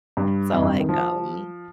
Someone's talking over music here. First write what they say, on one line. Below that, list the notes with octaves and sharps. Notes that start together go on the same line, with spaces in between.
So, like, um
G2
F2
G2
C3
D#3
F3